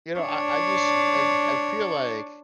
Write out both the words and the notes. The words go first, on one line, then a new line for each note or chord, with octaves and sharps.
you know, I I just, I I feel like
D4 C#5